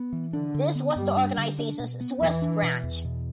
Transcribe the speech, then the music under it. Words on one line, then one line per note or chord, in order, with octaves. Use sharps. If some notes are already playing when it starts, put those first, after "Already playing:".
This was the organization's Swiss branch.
Already playing: B3
E3
D3 D4
D3
B3
G2 G3
D4
D3
D4
B2
B3
E2 E3
D4
B2
E2
B2